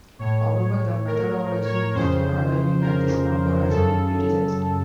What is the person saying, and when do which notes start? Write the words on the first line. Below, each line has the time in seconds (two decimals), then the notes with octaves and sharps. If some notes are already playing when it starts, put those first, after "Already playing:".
However, the methodology used in arriving at this number has been criticized.
0.19 A2 C#5
1.07 A#4
1.65 C#5
1.94 F2 C#3 C5
2.82 A#4
3.69 F#2 C#3 A4